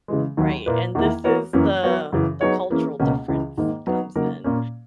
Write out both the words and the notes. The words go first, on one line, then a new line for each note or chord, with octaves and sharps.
Right, and this is the the cultural difference comes in
C#3 E3 G#3
D#2 D#3 F#3
A#2 A#3 E4 B4
E2 D#3 A#3 E4
E3 B3 F#4 A#4 C#5
F#2 E3 A#3 C#4
F#3 B3 F#4 A#4 C#5
F#2 C#3 E3
F#3 B3 D#4 G#4 C#5
E3 A#3 C#4 G#4
C#2 B2 A#3 C#4
C#2 C#3 E3
G#2 D#3 A#3 D#4
F#3 B3 D#4
C#3 F#3 A#3 D#4 A#4
A#2 A#3 C#4